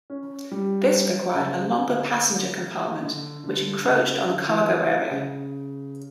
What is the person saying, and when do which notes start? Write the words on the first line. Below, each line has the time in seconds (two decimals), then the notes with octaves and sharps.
This required a longer passenger compartment, which encroached on the cargo area.
0.10 C#4
0.51 G3
1.34 C#3
1.77 D3
3.02 D3
3.44 D3
3.85 C#3
4.26 D3
4.47 E3
5.10 C#3